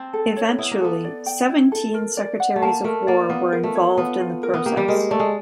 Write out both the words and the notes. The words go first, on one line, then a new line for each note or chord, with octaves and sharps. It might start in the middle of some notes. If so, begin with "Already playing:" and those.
Eventually, seventeen Secretaries of War were involved in the process.
Already playing: C4 A5
A4
C#5
B3 E4
A#3
B3 A4
D5
G5
E4
A4
A#4
D5
F#5
A3
A#3 A5
A3 A#4
A#3 D5
B3 F4
A#4
A3
C#5
B3 F4
F4
A#4
B3
A#3 G4
G3
G#3 A#4
A3 D5
G#3